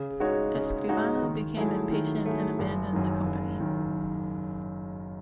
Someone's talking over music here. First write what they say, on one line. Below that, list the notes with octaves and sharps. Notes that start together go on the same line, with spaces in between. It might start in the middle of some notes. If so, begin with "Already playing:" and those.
Escribano became impatient and abandoned the company.
Already playing: C#3
G#3 D#4 F#4 C#5
C#3
G#3 D#4 F#4 C#5
D#3
F#3 A3 E4 G#4
D#3
F#3 A3 E4 G#4
F#1
F#2 D#3
F#1
F#2 D#3